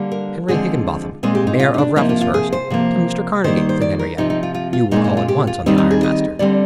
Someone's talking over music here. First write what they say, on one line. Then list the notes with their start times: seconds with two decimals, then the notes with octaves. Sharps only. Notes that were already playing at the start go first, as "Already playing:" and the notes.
Henry Higginbotham, mayor of Raffleshurst, to Mr. Carnegie," said Henriette. "You will call at once on the iron-master.
Already playing: D3 G3 A#3
0.12 A#4
0.48 D3 F3 G#3 C4 G#4
1.23 A#2 G#3 C4 G#4
1.35 G4
1.47 D#4
1.60 F4
1.74 D#4
1.78 D4
1.96 C3 F3 A#3 D#4
2.09 F4
2.21 F4
2.34 G#4
2.53 C5
2.70 C3 F3 A#3
3.44 D#3 G3 A#3 C5
3.57 C5
3.69 C5
3.81 D5
3.99 A#4
4.18 C3 F3 C4 D#4
4.30 D#4
4.43 F4
4.54 F4
4.73 F4
4.91 A#2 G#3 C4 D#4
5.04 D#4
5.17 F4
5.28 G4
5.47 F4
5.66 D#3 G3 C4 D#4
5.78 D#4
5.91 G#4
6.03 D#5
6.39 D3 G3 C4 D5